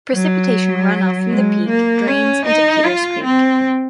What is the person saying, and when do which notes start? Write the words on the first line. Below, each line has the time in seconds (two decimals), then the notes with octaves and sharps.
Precipitation runoff from the peak drains into Peters Creek.
0.15 F#3
1.30 G#3
1.68 A#3
2.07 C#4
2.46 D#4
2.85 F4
3.24 C4